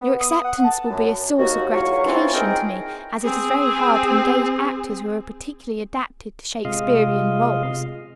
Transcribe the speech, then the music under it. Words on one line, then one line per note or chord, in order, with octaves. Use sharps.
Your acceptance will be a source of gratification to me, as it is very hard to engage actors who are particularly adapted to Shakespearian roles.
B3
D#6
F#5
A5
F#2
D#2 F#4
E2 F#3 F4 C#5 C#6
E3 C4 D4 F4
D#4 G#4 A#4 G5
C4 G#4
C3 G#3 F4 D#5 F5